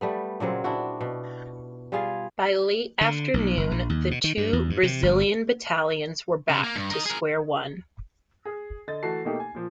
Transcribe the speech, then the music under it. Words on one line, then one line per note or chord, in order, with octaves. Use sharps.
By late afternoon, the two Brazilian battalions were back to square one.
G3 A3 B3
A#2 C#3 F#3 C4
D4 E4 F#4
B2
G3 F4 G#4 F5
D3
B1
F#1
A#1
D#2
B2
D#3
G2
E2
G2
C3
G1
C#3
A#3
G2
A#4 D#5
G#4 A#4
G#4
D3 D#5 A6
E3 A3 F#4 A5 C7
B2 A3 A#3 D#4 G4
G#5
A#2 F3